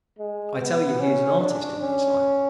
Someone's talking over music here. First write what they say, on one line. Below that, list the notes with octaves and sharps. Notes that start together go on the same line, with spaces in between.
I tell you he is an artist in his line.
G#3
B3
C#4
D4
C#4